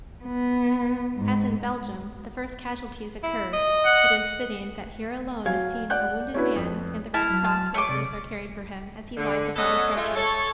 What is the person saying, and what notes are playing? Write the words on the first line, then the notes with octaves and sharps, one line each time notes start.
As in Belgium the first casualties occurred it is fitting that here alone is seen a wounded man and the Red Cross workers are caring for him as he lies upon a stretcher.
B3
G#2
E4
D#5
F#5
F#3 F5 G#5 G#6
D5 F#5 F#6 G6
C#4 D4 E4 F#4 B4
F2
E4 A5 F6
F#3
A5
A3 C#5 D6
C3 D5
D3
F#3 B3 C#4 A4 D#5 F#5
G#3 A3 F4
A4 C#5